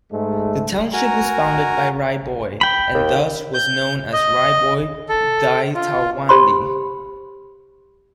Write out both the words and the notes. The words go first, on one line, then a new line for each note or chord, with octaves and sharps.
The township was founded by Rai Bhoi and thus was known as Rai-Bhoi-Di-Talwandi.
G#2 G#3 A3
F#4 A#4 G#5 A#5
G5 B5
D#2
G6
D#5
A4
F4
G4 C5 B5 C6